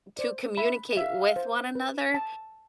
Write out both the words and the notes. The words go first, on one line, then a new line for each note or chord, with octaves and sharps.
to communicate with one another,
C5 D5
E5 B5
E5 F5
C5
B4
A5